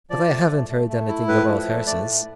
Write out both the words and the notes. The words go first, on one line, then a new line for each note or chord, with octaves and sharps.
But I haven't heard anything about her since.
F3 D5
A3
A3
A3
A3
E4
A2 B4
F3
A3
A3 D5
A2